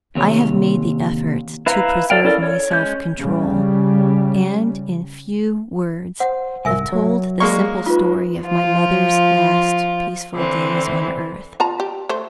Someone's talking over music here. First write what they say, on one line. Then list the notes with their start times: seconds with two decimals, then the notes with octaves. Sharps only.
I have made the effort to preserve my self-control; and in few words have told the simple story of my mother's last peaceful days on earth.
0.15 D#2 C3 C#5
1.66 E4 B4 F5 A#5
2.10 A4 D5 F5 G5
2.24 C#4 E4 A4 A#4 D5
2.43 C#5
2.71 G#3 C#4 G6
3.20 C#3 G3
6.20 C5 F#5
6.65 C2 G#2 A#4 E5 G#5
6.92 F#3
7.40 G#3 A#3 D5 C#6
7.86 D#4 F4 B4
8.43 F3 F4
10.34 D3 E3 C4
11.60 F4 A5 A#5
11.80 G4
12.09 A3 C5